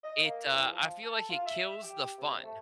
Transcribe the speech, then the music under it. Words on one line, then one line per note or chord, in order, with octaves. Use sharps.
it, uh, I feel like it kills the fun.
D#5
A#3
E2
F3
A4
F4
E5
G4
C3
A3